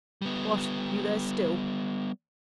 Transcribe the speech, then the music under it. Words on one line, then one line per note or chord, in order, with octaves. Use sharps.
'What! you there still!'
G3 B3